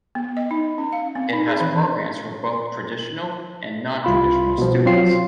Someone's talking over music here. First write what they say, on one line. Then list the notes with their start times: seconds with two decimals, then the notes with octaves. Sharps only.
It has programs for both traditional and non-traditional students.
0.15 B3
0.37 D#5
0.51 D#4
0.78 C#4
0.93 F5
1.15 C4
1.33 D#4
1.48 G#4
1.60 E3
4.04 C2 F4 B5
4.58 B2 F3
4.86 F#3 C4 F4 C7